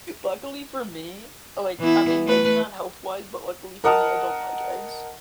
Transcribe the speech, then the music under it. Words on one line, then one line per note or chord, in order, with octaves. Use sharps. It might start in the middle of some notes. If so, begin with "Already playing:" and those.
Luckily for me, oh, like, I mean, maybe not health wise, but luckily for me, I don't like eggs.
E3 B3 E4
A3 B4
A#4 D#5 F#5 A5 D#6 F6